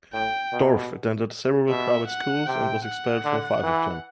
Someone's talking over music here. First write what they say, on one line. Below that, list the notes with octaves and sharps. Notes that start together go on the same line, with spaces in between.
Dorff attended several private schools, and was expelled from five of them.
A2 G5
B2
B2 E5
F#5
C3 G5
F#5
D3
E3